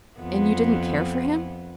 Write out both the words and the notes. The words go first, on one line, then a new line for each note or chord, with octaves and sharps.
"And you didn't care for him!"
F2 B3